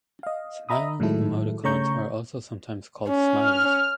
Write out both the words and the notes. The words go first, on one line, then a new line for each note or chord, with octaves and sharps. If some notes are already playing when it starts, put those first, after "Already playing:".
"Smiling" emoticons are also sometimes called smileys.
D#5 F5
D#5 E5 A#5 B5 D#6
A2 D#3 F#3 G#3 E4 A4
C#3 A3 C#5 A#5 C#6 G6
C#4
F6